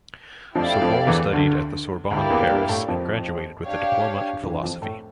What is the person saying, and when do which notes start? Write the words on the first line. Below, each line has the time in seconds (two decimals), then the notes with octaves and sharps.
Sobol studied at the Sorbonne, Paris, and graduated with a diploma in philosophy.
0.55 F2 F3 A3 E4 G4 D5 F5
0.82 F2 F3
1.07 E2 E3
1.33 D2 D3
2.10 D2 D3 A#3 E4 G4 D5 F5
2.30 E2 E3
2.49 G2 G3
2.69 A2 A3
2.88 F2 F3
3.66 D4 G4 C#5 F5
4.43 E2 E3
4.55 E3
4.63 F2 F3
4.82 A2 A3